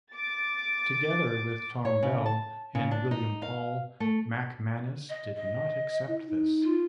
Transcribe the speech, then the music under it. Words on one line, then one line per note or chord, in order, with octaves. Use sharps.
Together with Tom Bell and William Paul, MacManus did not accept this.
D6 A6
C#5
C#3
A5
C#3
D4
D#4
F5
A3
D#5
D#5
E4
D#4
F4